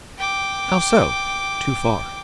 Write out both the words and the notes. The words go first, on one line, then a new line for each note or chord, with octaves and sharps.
"How so--too far?"
G5 D6